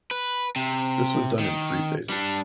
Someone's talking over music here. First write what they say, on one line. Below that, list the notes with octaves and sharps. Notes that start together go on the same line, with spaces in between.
This was done in three phases.
B4
C3
D#3
G3 D4